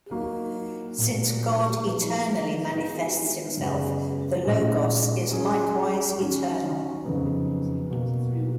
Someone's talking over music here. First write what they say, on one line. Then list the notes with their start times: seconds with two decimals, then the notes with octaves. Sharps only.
Since God eternally manifests himself, the Logos is likewise eternal.
0.11 F#3 A#3 D#4 F#4
0.98 A#2 F#3 A#3
1.84 F3 G#3 B3
2.70 D#3 G#3 B3 F4 B4
3.57 F#2 C#3 G#3 B3
4.44 A#2 G#3 C#4
5.31 F#3 C#4 G#4
6.17 D#3 F#3 C#4 F#4
7.05 F2 C#3 F#3 B3 D#4
7.90 B2 F#3 A#3